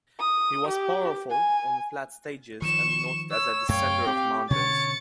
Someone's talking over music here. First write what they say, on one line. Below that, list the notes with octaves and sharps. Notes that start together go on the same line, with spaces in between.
He was powerful on flat stages and noted as a descender of mountains.
D#6
G4
G#5
D#3 F3 C#6 E7
C#5 E6
F#2 A3 C#5 F5 G5
C4 G4
B2 D3 C#4 C#5 A6 C#7